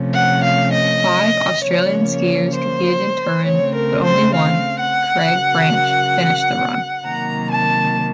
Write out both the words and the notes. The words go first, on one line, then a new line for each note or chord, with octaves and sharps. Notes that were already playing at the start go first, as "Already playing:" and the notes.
Five Australian skiers competed in Turin, but only one, Craig Branch, finished a run.
Already playing: C3 F3 A3 C#4
F#5
F5
D#5
C#3 F3 A#3 C#4 C#5
C#5
C5
C#3 A3 C4 C#5
A#4
C5
F5
F#5
C#3 F#3 A#3
C3 D#3 F#3 A#3 A#5
A5